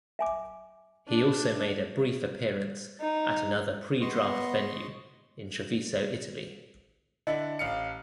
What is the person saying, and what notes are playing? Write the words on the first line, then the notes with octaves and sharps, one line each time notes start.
He also made a brief appearance at another pre-draft venue, in Treviso, Italy.
E5 G#5 D6
D4
D#4
B3 D#5 C6 C#6
D3 D4 E4 D#5
A1 F5 C#7